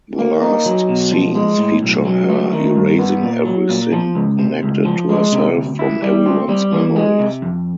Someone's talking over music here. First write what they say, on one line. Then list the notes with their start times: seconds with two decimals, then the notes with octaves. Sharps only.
The last scenes feature her erasing everything connected to herself from everyone's memories.
0.19 A#3
0.42 D#4
0.66 F#3
0.89 B2
1.12 F3
1.35 G#3
1.58 A2
1.83 B1
2.05 F#3
2.29 A3
2.52 D#3
2.75 G2
2.99 B3
3.22 A#2
3.45 F#3
3.69 A#2
3.92 F3
4.15 C#2
4.39 C3
4.63 C#2
4.85 F3
5.09 G#3
5.32 C3
5.56 D2
5.79 E4
6.02 G3
6.26 C4
6.49 G3
6.73 E3
6.96 G#3
7.19 C3
7.42 F2